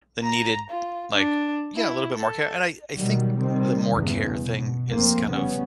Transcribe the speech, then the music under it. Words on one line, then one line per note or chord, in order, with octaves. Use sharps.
that needed, like Yeah, a little bit more care, and I I think the more care thing is kind of,
A#5
F4
D4
E4
A4
B2 D#3 F#3 G3
C3 D#3 G3 C4
G1 E2 G2 A#2 C#3 E3
B2
F1 A#3 C4
C#3 G3 B3 C#4